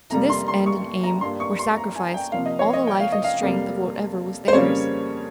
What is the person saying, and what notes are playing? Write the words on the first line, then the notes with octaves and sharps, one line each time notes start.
To this end and aim were sacrificed all the life and strength of whatever was theirs.
F2 C3 G3 A#3 A#5
C6
C6
C#6
A#5
G2 G3 A#3 C6
C#6
C6
A#5
G#5
G5
C3 F3 A#3 F5
D#5
C#5
D#5
G5
F5
D#5
F5
F2 C3 G3 A#3
C5
F2 C#3 G3 A#3 C#5